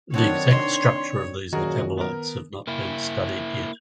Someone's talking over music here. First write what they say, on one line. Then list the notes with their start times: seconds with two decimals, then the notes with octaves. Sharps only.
The exact structure of these metabolites have not been studied yet.
0.14 D#3 F#3 C4 D4 C#5
0.51 C4 D4 C6
1.53 F#2 A#2 D#3 F#3 F#4 G#4 A#4
1.97 B3 A#4
2.67 A#3 E4